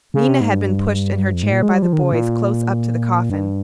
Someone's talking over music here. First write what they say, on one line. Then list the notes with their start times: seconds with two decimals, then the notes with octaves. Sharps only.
Nina had been pushed in her chair by the boys close up to the coffin.
0.14 C#3
0.28 C3
0.41 G#2
0.54 G2
1.33 F2
1.43 G#2
1.52 A#2
1.63 G#3
1.72 G3
1.82 F3
1.93 D#3
2.02 C#3
2.12 A#2
3.30 G2